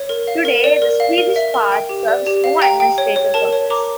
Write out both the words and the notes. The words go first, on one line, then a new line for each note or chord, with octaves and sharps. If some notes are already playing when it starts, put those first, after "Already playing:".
Today, the Swedish part serves no administrative purpose.
Already playing: C#5
A#4
F5
A#4
D5
A#4
F5
A#4
E5
A#4
G5
G4
D5
G4
F5
G5 A#5
G5
C#5
C#5
A#4 A5
C#5
A#4 A#5 D6